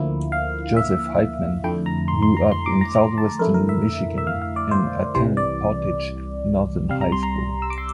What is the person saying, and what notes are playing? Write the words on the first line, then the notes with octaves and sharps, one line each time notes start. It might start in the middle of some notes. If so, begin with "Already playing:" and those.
Joseph Heitman grew up in southwestern Michigan and attended Portage Northern High School.
Already playing: D2 D3 F3 A#3 E4
F5
E5
F2 D3 A3 E4 G5
A#5
C6
C6
A#5
C6
D6
A#5
A#5
A5
F2 D3 A3 E4 A#4
A#4
E5
E5
F5
F5
D5
C5
C2 C3 E3 G3 C5
D5
C2 C3 G3 F5
A#5
C6
A#5
E6
D6
C6